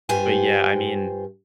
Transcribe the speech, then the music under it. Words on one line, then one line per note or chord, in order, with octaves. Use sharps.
But, yeah, I mean,
G2 F4 G4 C5 G#5